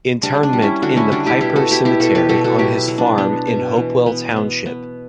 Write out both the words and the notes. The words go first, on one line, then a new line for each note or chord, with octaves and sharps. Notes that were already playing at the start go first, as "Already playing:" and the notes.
Interment in the Piper Cemetery on his farm in Hopewell Township.
G3 D4
D4
G3
C#4 E4
D3 D4 F#4
C#4 E4
G3 D4 F#4
E4 G4
B2 E4 G4
F#4 A4
B2 E4 G4
E4 G4
B2 F#4 A4
G4 B4
B2 F#4 A4
F#4 A4
F#3 E4 G4
F#3
D4
B3 D4
B2
E3
B3
B3
B3